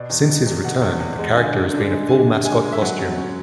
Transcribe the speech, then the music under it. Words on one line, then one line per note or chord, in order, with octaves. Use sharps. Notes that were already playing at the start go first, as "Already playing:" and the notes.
Since his return, the character has been a full mascot costume.
Already playing: B2 D5
E2
B2
E2
B2 F#5
E2
E2 F#5
G#3
F#5
D3 G#5
D3
D4
G#3
D3 G#5
D3
G#3 G#5
G#3
E5
F#3 F#5
F#3
C#4